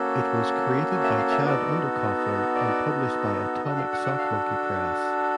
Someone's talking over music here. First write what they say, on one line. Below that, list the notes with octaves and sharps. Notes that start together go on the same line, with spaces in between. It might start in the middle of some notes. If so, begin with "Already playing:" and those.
It was created by Chad Underkoffler and published by Atomic Sock Monkey Press.
Already playing: A#3 C#4 F#4 A4
G#5
E5
F5
E5
B3 D#4 F#4 A4 D5
D5
D4 F#4 A4 D#5
F5
F#5
F#5
F5